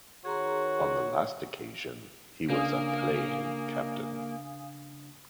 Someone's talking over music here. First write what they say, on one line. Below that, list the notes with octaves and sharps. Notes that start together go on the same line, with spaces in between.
On the last occasion, he was a playing captain.
D#3 F#4 G#4 C#5 A#5 C6
C#3 A#3 D4 F5 G#5 D#6